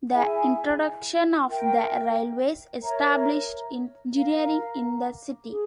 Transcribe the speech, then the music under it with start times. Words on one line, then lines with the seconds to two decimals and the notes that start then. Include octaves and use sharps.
The introduction of the railways established engineering in the city.
0.12 E4 G#4 E5 G#5
1.46 F4 A#4 E5 G5
2.80 A#4 C#5 E5 A#5
4.15 A#4 F5 A#5
5.51 G#4